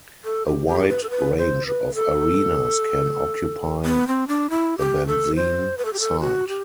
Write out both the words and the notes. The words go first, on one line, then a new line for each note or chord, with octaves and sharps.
A wide range of arenes can occupy the benzene site.
A4
G4
G4
B4
A4
B4
C5
B4
A4
B3
C4
D4
E4
G4
A4
C5
B4
A4
G4
A4
F#4
G4